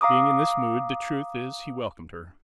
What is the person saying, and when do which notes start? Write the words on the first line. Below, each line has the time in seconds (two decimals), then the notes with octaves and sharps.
Being in this mood the truth is he welcomed her.
0.01 F5 A#5 D6 D#6